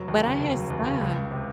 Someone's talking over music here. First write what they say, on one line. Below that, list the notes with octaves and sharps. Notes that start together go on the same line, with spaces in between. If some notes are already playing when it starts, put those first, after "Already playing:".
But I had stop.
Already playing: F1 F#3
D#2
C#3
F1
F#3
D#2
C#3
C#2
C#2
C3